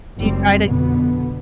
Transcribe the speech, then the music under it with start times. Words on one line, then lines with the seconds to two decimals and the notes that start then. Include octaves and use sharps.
Do you try to
0.19 F#1 G3 C4
0.69 F2 B2 D3 B3